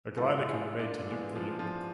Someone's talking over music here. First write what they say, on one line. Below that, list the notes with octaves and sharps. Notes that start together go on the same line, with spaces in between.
A glider can be made to loop the loop.
G#2 E3 F4 A4
E4 G#4
D4 F4
E3 G#3
F3
F3